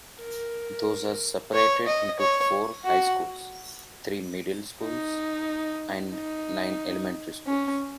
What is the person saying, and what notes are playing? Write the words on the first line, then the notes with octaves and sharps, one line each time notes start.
Those are separated into four high schools, three middle schools, and nine elementary schools.
A#4
C#5
D#5
C#5
F#4
D#4
D#4
C#4